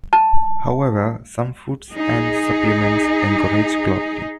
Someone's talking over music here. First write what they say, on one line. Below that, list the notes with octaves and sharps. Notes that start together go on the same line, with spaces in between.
However, some foods and supplements encourage clotting.
A5
D#4 G#4